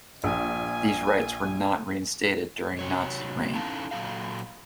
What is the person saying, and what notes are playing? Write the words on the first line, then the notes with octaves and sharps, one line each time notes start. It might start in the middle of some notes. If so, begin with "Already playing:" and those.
These rights were not reinstated during Nazi reign.
A#1 G#5
C3 F#3 C#5
C#4 D#4 E4 A4 F5 A5
A#2 F#3 A#3 F#4 A4 F5